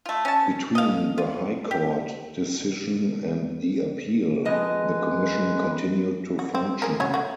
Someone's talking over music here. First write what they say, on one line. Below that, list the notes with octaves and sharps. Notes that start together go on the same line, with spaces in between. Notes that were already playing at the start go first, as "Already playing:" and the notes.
Between the High Court decision and the appeal, the Commission continued to function.
A3 F4
C#4 A5
D#5 F5
F4
G4
F2 G#3 B4 D#5
F#4
C4
G#4 A#4
F#3 C#4 C#5
A3 F#4